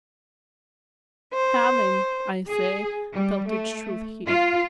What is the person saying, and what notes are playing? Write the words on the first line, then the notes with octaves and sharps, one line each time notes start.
Having, I say, felt its truth here.
C5
G#4
G3
A3
F4